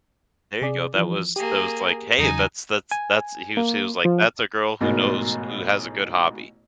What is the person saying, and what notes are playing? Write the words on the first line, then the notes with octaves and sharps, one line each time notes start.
There you go, that was that was like, "Hey, that's that's that's" he was he was like, "That's a girl who knows who has a good hobby."
C3 G#4 D5
E3 F3
A#3 G4 G#4
E2 C#3 F#3 D#4 G#5
G#5
A#3
F3
A1 G#2 B2 A#4